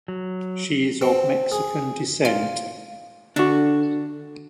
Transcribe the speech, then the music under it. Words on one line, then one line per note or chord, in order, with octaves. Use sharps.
She is of Mexican descent.
F#3
C4
G#4
F4
D3 D4 F#4